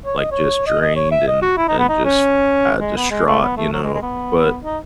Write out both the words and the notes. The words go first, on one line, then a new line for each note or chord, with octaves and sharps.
like, just drained and and just, ah, distraught, you know? But,
C#5
D#5
C#5
D#5
D#5
C#5
E5
D#5
F#4
E4
D#4
B3
D#4
C#4
G#3
B3
G#3
A3
B3
A3
F#3
G#3
G#3
B3
D#4